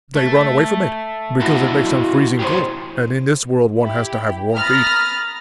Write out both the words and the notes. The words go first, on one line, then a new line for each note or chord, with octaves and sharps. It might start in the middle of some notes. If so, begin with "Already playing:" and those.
They run away from it, because it makes them freezing cold, and in this world one has to have warm feet.
A3
E4 F#4 A4
G4 G#4 A#4 C5 C#5
E4 G4
A#5 B5 D#6 F6 A6 A#6